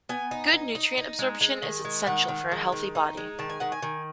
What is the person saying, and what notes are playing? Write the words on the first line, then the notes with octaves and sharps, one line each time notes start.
Good nutrient absorption is essential for a healthy body.
B3 G#5
D#4
D#4
D#4
D#4
G#3
G#3
D#3
G#3
D#3 F#5
D#3
G#3
D#3
D#4
G#3
D#3 A5
G#5
D#3 F#5
G#5
D#3